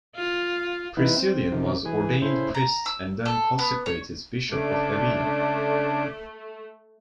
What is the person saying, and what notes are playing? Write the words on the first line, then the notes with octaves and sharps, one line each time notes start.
Priscillian was ordained priest and then consecrated bishop of Avila.
F4
E3 B3 D#4 E4
C4
C3 D#3 F3
E3 G#4
A2 C#3 E4 C5
A#5
E6
A4
B3
C#5
C#3 A3 D4 D6